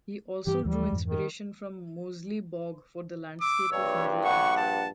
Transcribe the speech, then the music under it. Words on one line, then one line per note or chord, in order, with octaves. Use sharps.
He also drew inspiration from Moseley Bog for the landscape of Middle-earth.
G2 E3 G4
D#2 E3 F3 G3
F2 G#2 E3
D#3
D6 E6
A#1 G2 C#5
F#5 C#6
A5